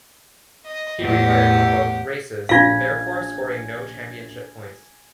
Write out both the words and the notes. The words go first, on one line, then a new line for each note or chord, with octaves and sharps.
He retired from both races, therefore scoring no championship points.
D#5
E2 A2 G4 F#5
A#1 C#4 F4 F5 G#5 G#6